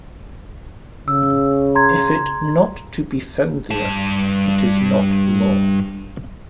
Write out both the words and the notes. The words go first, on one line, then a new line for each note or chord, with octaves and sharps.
If it not to be found there, it is not law.
C#3 E6
A#5 C6 G#6
G2 A5